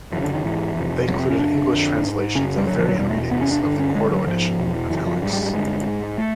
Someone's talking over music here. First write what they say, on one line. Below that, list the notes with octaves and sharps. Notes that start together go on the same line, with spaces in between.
They included English translations of variant readings of the quarto edition in italics.
F#2 E3
C#3
D3
D#3
G#2 E3
F2 C3
F2 C3 F#3
C4
C#4
F#2 C#3 D4
F2 D3
G#2
F#2 C#3 C#4
G3
G2 D3 F#3
F3
F#3
E2 B2 G3
A3
E2 C3 B3
C#4
D4
G2 D3 D4
C#4
G2 D3 G#3
F#3
G#2 F3
E2 B2
F#2 C#3 E3
F3
G#2 G3
G3
G3
G2 D3 G#3
G#2
A3